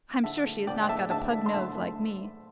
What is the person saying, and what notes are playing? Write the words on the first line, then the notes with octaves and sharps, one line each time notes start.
I'm sure she has not got a pug-nose like me.
D3 E5 A5
A3
D3 D5 G5
G5
A3 E5 A5
D3 E5 A5
A3
C6
D3 E5 A5
A3